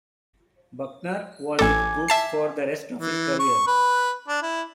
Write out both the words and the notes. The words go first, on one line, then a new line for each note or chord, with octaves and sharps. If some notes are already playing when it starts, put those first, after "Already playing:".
Buckner was with troops for the rest of his career.
A1 A4 G#5 D6
E5 A5 C7
E3
C#6
B4
D4
E4